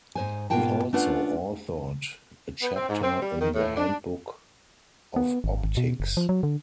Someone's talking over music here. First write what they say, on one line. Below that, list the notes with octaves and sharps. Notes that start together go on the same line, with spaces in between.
He also authored a chapter in the Handbook of Optics.
G#2 C5 G#5
G#2 B2 A#3 F4 G5 A5
A3 C#4 D4 F4 B4 F#5
B3
C4
G#2
C4
G3
D#3
A2
D4
B3
G#1
G#1
B2
F#1
F3
F#3
D3